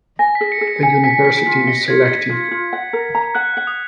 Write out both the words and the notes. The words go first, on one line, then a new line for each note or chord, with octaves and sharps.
The university is selective.
G#5 A#6
B6
G#4
C#7
G#4
C#7
G#5 C#7
G#5 B6
G#4 B6
F4 B6
D#5 C#7
F4 G#6
D#5
F4
F4
F#5
A#4
A#5
F#5 F#6
F#5
D#6